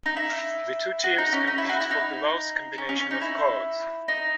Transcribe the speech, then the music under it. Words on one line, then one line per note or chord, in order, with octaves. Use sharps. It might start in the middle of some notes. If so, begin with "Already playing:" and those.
The two teams compete for the lowest combination of cards.
D#4
E4
F#4
D#4
C#4
D#4
E4
F#4
E4
D#4
C#4
C#4
C#4
D#4
E4
D#4